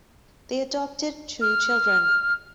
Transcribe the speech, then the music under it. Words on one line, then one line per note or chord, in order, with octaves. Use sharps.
They adopted two children.
F6